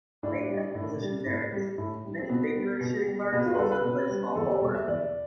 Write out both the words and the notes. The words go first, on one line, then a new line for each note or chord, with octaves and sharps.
Height at the position varies; many bigger shooting guards also play small forward.
A2 D4
G3
A2
G3
A2
G3
A2
G3
C4
B2 B3
G3
B2
G3
B2 B3
F4
B4
G3 A4
B4
B2
G3
E2 A4
G4
B2 G3 A4
E5
E2 D5